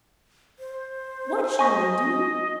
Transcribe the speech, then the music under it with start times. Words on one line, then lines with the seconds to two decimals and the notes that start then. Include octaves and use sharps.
What shall we do?
0.59 C5
1.59 D#5 G#5 C#6 B6